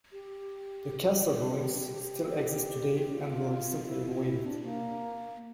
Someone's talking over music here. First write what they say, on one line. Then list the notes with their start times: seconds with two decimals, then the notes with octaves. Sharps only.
The castle ruins still exist today and were recently renovated.
0.12 G4
1.62 G4
3.14 F4
3.84 F4
3.89 E4
4.08 F4
4.26 E4
4.45 D4
4.64 A#3